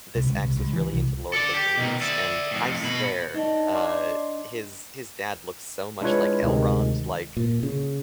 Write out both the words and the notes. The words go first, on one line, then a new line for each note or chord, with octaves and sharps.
this ex was really into Lord of the Rings, and I swear, uh, his his dad looks so much like Elrond. Like,
C2
C#2
C2
C#2
E3
C2
A4 D5
G4
B2 D#3
D5 E5
F2 A2
B2 B5
D4 D#4 C#5 D#5
D5 C6 D6
G#3 D4 E4 F4 B4 C#5
D2 C3 D#3 G#3
A#2
C#3